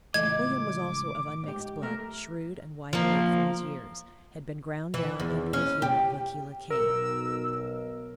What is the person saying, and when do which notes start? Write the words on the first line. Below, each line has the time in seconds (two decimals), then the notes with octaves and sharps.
William was also of unmixed blood, shrewd and wide-awake for his years,--had been ground down under the heel of Aquila Cain.
0.14 C#2 A2 E3 A3 D#5 D6 G#6
1.44 G#2 G4
1.83 A3 A#4
2.93 F3 A#3
4.94 E3
5.20 E2
5.53 C#4
5.82 G4
6.70 B1 A#4 E6